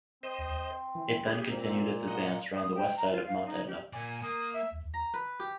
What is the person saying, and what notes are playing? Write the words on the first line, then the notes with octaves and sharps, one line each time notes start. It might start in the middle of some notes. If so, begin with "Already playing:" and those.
It then continued its advance round the west side of Mount Etna.
C4 C5 D#5
E3
G4 G#4
A#2 A#3 C4
D#5 F#5
D#6
G5
A#5
F4
F5
D#4
G4
A#2 D5 G#5
A#3 D#6
E5
A#5
B4
G4